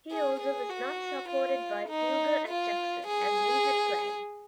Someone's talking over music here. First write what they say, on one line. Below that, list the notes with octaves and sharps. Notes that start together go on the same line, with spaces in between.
He also was not supported by Huger and Jackson, as Lee had planned.
G#4
G#4
F#4
F4
D#4
F4
G#4